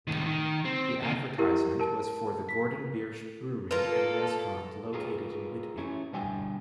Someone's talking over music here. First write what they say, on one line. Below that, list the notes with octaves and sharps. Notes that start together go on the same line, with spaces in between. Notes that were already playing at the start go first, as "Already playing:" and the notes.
The advertisement was for the Gordon Biersch brewery and restaurant located in Whitby.
A2 D#3
D#3
C4
C3 A#3
E4 G4 A#4
A#4 A5
B6
A#3 F4 A4 B4
F4 G#4 A#4 B4
A3 C#4 E4
B2 D3 G3 D4 G5 G#5